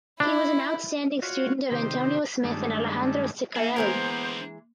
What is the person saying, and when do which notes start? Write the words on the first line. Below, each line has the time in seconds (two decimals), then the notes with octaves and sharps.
He was an outstanding student of Antonio Smith and Alejandro Ciccarelli.
0.20 D4 E4
1.22 F4 F#4 C#5
1.71 C3 D#3 G4 C5
2.44 G2 D#3 G#3 A3 D4
3.56 A#3 D4 A4 E5
3.76 D3 E3 G#3 B3 A#4 C5 A#5